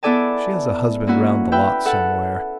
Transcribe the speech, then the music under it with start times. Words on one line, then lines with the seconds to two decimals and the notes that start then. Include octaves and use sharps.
She has a husband round the lot somewhere.
0.03 B3 E4 A4 D5 G#5 A5
1.07 A#3 C#4 E4 F#4
1.52 B4 E5 G5
1.86 A4 F#5